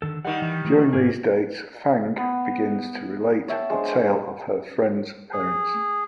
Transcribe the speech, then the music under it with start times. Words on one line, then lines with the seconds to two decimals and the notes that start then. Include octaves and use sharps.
During these dates, Fang begins to relate the tale of her friend's parents.
0.02 D3 D#3 A4
0.25 D#3 G3 F#5
0.42 E3
0.65 E3 A3 A#3
0.93 G#2 A#3 G#4
2.18 B3
3.48 C#5 E5 G5 A5
3.70 G#3 D4 C5
5.33 G#4